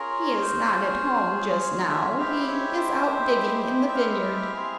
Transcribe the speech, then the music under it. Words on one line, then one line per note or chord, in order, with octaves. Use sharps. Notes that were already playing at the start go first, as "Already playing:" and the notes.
He is not at home just now, he is out digging in the vineyard.
Already playing: C#4 F4 G#4 A#4
C5
C5
C#5
E5
G#3 C4 E4 G4 F5
C#5
C5
E5
F5
C4 E4 G#4